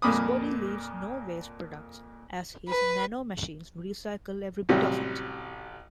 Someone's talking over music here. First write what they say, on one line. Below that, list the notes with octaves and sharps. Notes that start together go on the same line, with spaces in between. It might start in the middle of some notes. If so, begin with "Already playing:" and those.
His body leaves no waste products as his nanomachines recycle every bit of it.
F2 A#2 A#3 B5 D6 D#6
B4
A1 C3 F#3 G3